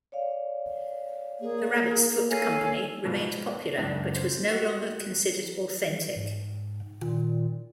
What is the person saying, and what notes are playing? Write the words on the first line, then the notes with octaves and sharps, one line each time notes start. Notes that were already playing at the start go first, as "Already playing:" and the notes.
The Rabbit's Foot Company remained popular, but was no longer considered authentic.
C#5 D5 F5
A#3 G#4
A4 C#5 F5 G#5
G#2 B2 F3
C#2 F#2 C#3 D4
C5
F#4 G4 A#4
E3
G#2
A#2 D#3